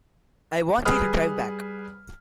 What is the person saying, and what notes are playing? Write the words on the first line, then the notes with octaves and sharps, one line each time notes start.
I want you to drive back.
G3 G#4 B4 B5 D#6 F6